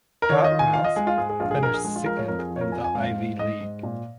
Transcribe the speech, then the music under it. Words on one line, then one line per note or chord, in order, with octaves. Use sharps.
Dartmouth finished second in the Ivy League.
A#4
D#3 C#5
D#5
F4
G#5
F4 F5
D#5
G#3 G#4
F4
G#2 G#4
G#4
A#1 F4
G#4
A#1 A#4
G#4
G#3 G#4
F4
F3 A#4
C#5
F2 A#4
G#4
F3
C#5
A#4
F2 G#5
G#5
G#2 F5
G#2
G#2 D#5
G#2
A#2